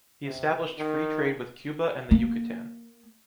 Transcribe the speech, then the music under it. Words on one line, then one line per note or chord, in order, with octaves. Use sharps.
He established free trade with Cuba and the Yucatán.
C3
D#3
A#3